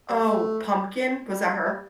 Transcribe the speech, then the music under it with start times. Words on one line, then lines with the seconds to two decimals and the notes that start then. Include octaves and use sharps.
Oh, Pumpkin? Was that her?
0.10 G3
0.27 A3
1.30 G3
1.65 G3